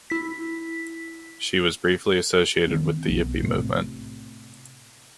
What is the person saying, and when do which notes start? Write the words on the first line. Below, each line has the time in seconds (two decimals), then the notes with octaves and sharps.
She was briefly associated with the Yippie movement.
0.10 E4 B6
2.67 D#3 F#3 B3 C4
3.08 B1 B3
3.43 A2 C3